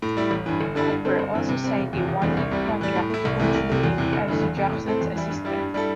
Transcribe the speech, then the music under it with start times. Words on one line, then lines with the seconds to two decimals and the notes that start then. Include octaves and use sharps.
Cooper also signed a one-year contract to continue as Jackson's assistant.
0.02 A2
0.17 G3 E4
0.31 A1
0.46 G2 E3
0.61 G1
0.75 G2 D3 G3 E4
0.90 G2
1.05 D3 C4 A4 C5
1.19 G1
1.34 G2 E3 C4
1.49 C3
1.64 G3 C4
1.78 E1
1.93 E2 C3
2.08 E1
2.22 E2 D3 G3 C4
2.37 C2
2.51 C3 G3
2.66 A2
2.81 E3 G3
2.95 A2
3.10 A3 E4
3.25 C2
3.40 C3 E3 A3
3.54 C2
3.69 C3 A3
3.83 E2
3.98 C3 E3
4.13 G1
4.28 G2 E3 A3
4.42 E2
4.57 C3 A3
4.72 A2
4.86 A3 C4 A4 C5
5.01 E2
5.16 E3 G3 E4
5.30 G2
5.45 G3 E4 G4
5.60 G2
5.74 G3 E4 A4